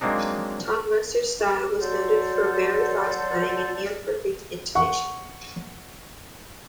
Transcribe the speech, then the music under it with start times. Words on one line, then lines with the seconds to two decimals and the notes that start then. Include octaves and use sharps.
Ton Masseurs' style was noted for very fast playing and near-perfect intonation.
0.01 F#3 G#3 A#3 C4 D4 D#4
1.81 F#3 F#4 A4 C5 D5
4.75 F#5 C#6